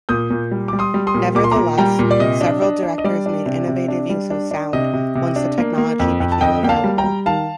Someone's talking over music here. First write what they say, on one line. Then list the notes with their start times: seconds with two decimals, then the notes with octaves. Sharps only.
Nevertheless, several directors made innovative use of sound once the technology became available.
0.09 A#2 D#6 G6
0.30 A#2
0.51 G3
0.68 G3 D6
0.79 C6 D#6
0.94 G3
1.07 C6 D#6
1.14 A#2
1.35 A#2 D6
1.44 C6
1.51 A#2 A#5 D6
1.78 G3 G5 A#5
1.99 A#2
2.11 D5
2.19 C3 D#5
2.41 D4
2.62 D4
2.83 D4
2.98 D#5
3.04 G3 D5
3.26 D4
3.46 C3
3.68 C3
3.88 D4
4.09 G3
4.31 D4
4.51 D4
4.73 C3 D#5
4.93 C3
5.15 C3
5.36 D4
5.58 A#3
5.78 A#3
5.99 F2
6.20 F2
6.32 A5
6.41 F2 D#5 G5
6.63 A#3 G5
6.69 F5 A5
6.84 G3
6.98 G5 A#5
7.04 G3
7.26 D#3 F5 A5